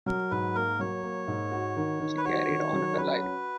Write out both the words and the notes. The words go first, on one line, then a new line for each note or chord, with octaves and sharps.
She carried on her life.
F#3 A#4
G#2 B4
A#3 A#4
F#3 C#5
A#3
G#2
F#4
D#3
D#3
B4
F#4 C#5
D#3
F#3
C#4 B4
F#4